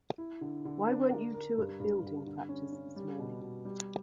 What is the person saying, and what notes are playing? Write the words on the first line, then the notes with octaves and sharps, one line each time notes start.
Why weren't you two at fielding practice this morning?
E4
D3
D3
D4
A#4
A#4
G2
G2
G2
D3
C#4
C#4
G3
B2
B2
G3